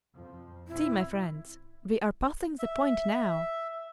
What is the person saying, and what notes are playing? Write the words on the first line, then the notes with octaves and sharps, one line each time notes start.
See, my friends, we are passing the point now!
F2 F3
B2 C4 E4
E5